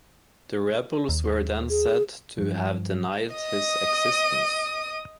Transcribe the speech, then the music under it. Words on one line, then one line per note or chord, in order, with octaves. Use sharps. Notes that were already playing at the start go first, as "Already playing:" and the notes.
The rebels were then said to have denied his existence.
D#2
G#4
G2 F3
D#5 D#6